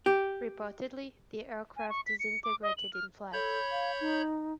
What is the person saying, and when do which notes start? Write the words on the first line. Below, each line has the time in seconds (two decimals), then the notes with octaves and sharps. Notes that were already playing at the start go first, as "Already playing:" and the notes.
Reportedly, the aircraft disintegrated in flight.
0.06 G4
1.77 G#5
1.90 C#6
2.06 B6
2.20 C#7
2.44 D6
2.62 D#5
2.77 F#7
2.93 F6
3.33 A4 C#5 B5 G6
3.71 F5
4.00 D#4